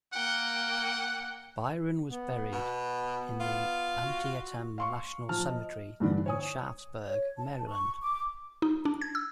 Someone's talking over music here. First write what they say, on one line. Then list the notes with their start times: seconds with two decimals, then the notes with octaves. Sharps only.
Byron was buried in the Antietam National Cemetery in Sharpsburg, Maryland.
0.13 A#3 F#5 G5
2.10 B3
2.52 B2
3.40 F4
4.03 F#4
4.78 F5 C6 C#6
5.29 F3 A5 F6
5.49 D#5
6.00 G2 D3 E3 D4
6.26 C#5 G#5 D#6
7.05 C#5
7.37 A5
7.68 C#6
8.02 D6
8.62 D#4
8.85 D4
9.01 G#6
9.15 E6